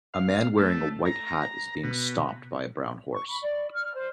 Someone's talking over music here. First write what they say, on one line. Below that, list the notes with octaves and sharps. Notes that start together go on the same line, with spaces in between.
A man wearing a white hat is being stomped by a brown horse.
F5
A3
A#5
B2
C#6
B5
D5
F6
C5